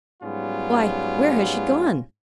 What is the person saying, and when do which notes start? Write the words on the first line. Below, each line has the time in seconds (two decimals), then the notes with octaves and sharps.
"Why, where has she gone?"
0.22 G#2 F#3 G3 B3 C#4 F4